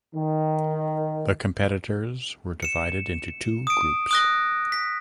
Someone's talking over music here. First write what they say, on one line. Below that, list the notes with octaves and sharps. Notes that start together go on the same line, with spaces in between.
The competitors were divided into two groups.
D#3
C#7 E7
D#6 D7
D#6 F#6 A#6
B6